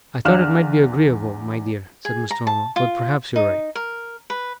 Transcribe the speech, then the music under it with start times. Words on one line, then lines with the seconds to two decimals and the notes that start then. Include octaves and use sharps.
'I thought it might be agreeable, my dear,' said Mr. Omer. 'But perhaps you're right.'
0.25 E2 D4 F5 F6 F#6 E7
2.05 G#4
2.31 A#5
2.47 A5
2.76 F4
3.36 D#4
3.75 A#4
4.30 B4